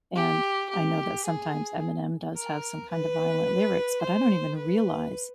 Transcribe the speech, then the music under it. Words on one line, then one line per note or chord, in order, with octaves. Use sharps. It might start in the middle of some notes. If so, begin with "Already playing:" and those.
and I know that sometimes Eminem does have some kinda violent lyrics, but I don't even realize,
G4
G4
G#4
A#4
B4
C5
B4